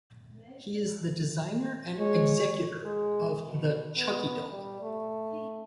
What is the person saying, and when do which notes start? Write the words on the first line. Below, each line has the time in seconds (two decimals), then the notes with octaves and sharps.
He is the designer and executor of the Chucky doll.
1.99 G#3 C#5
2.85 G#3
3.46 B2
3.97 B3
4.52 G3
4.82 A3